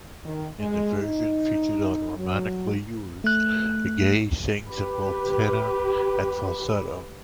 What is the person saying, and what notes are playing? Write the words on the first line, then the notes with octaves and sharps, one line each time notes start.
In the version featured on "Romantically Yours", Gaye sings in both tenor and falsetto.
D#3
G#3
D#4
F#3
A3 F#6
G4 B4